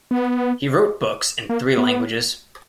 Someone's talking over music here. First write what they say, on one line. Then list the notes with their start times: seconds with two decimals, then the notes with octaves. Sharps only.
He wrote books in three languages.
0.11 B3
1.49 A#3
1.78 B3